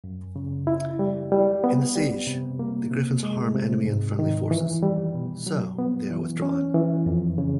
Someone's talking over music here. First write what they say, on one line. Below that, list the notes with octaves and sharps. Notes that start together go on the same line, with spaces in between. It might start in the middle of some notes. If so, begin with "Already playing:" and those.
In the siege, the griffins harm enemy and friendly forces, so they are withdrawn.
F#2
C#3
E4
G3
G3
B3
G3
C3
A#3
C3
G#3
C3
G#2
D#3
E3
G3
B2
F#3
B3
E3
C#4
E3
F2
C#3